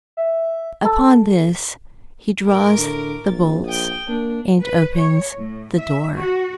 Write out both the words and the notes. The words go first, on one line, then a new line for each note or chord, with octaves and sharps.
Upon this he draws the bolts and opens the door.
E5
A4
A2 A#4 D6
D3
A#1 A6
G5 D#6
A#3 D4
B4
C#5
A2
E5
F#4